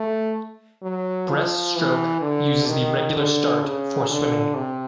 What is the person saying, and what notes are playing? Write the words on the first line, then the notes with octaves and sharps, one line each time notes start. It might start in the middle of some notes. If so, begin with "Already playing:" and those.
Breaststroke uses the regular start for swimming.
Already playing: A3
F#3
F3
E3
D3
D#3
D3
C#3
D3
C3